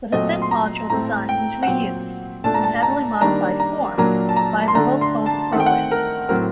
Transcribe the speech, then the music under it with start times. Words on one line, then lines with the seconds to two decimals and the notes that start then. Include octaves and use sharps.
The descent module design was reused, in heavily modified form, by the Voskhod program.
0.12 A#2 F#3 A3 C4 D#5
0.42 C6
0.51 A#5
0.90 A2 A3 C4 A#5
1.29 G5
1.63 F#5
1.66 A#2 F#3 C4 G5
2.44 A#2 A3 D4 A5
2.54 A#5
2.63 A5
2.83 A#5
3.21 D#3 G3 A#3 D4 A#5
3.60 A#5
3.98 A#2 F#3 A#3 D4 A#5
4.29 A5
4.36 A#5
4.68 C6
4.75 D3 A3 D4 A#5
5.01 C6
5.26 A5
5.52 D#3 A3 C4 F#5
5.60 G5
5.66 F#5
5.91 A#4
6.29 A2 F#3 C4 A#4